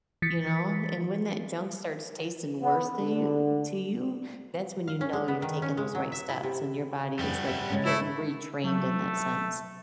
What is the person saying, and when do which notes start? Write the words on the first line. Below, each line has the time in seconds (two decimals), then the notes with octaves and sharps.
you know? And, when that junk starts tasting worse to you to you, that's when you know you've taken those right steps and your body is, like, getting retrained in that sense.
0.22 E3 A6 B6 C#7
2.62 B3
2.97 D3
4.88 F5
5.01 C#4
5.13 G#3
5.28 B3
5.42 D#3
5.62 C#4
5.77 G#3
5.95 F#3
6.12 E5
6.29 E4
6.43 C3
7.19 F2 G3 B3
7.47 E5
7.70 C#3 G#3 C#4
7.85 A3 E4
8.64 F#3 A3